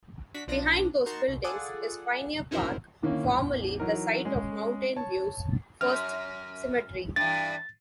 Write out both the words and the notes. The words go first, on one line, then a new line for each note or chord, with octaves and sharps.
Behind those buildings is Pioneer Park, formerly the site of Mountain View's first cemetery.
D4 F#4 B6
B1 F3 D4 A#6
D#4 F#4 A#4 A5 C6 C#6
C2
F4 G#4 A4 D5 F#5
C#4 D#4 E4 F#4 A#4 C5
D3 D#3 A#3 C#4 E4
A1 E2
E3 F#3 D#4 A#4
G#3 C#4 G#4
C#5 A5
F#2 F6
G2 E3 A6